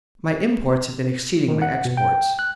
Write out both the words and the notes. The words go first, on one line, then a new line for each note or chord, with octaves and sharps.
My imports have been exceeding my exports.
D#3
F#5
B2
G5
F#6